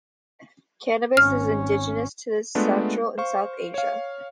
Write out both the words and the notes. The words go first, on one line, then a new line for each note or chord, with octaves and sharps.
Cannabis is indigenous to Central and South Asia.
G#1 C#4 F6
G#3 A3 B3 D4 F4
C5 F5 C#6
C#5 F5